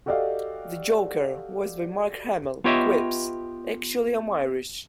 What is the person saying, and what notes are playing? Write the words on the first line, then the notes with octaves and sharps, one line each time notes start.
The Joker, voiced by Mark Hamill, quips, Actually I'm Irish.
F#4 G4 A4 D5 D#5 F5
B3 F4 G4 C#5 D#5 E5